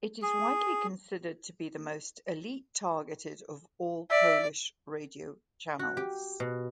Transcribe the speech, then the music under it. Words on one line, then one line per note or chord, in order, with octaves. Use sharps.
It is widely considered to be the most elite-targeted of all Polish radio channels.
G#4
D5 E5
F#4
G4
B2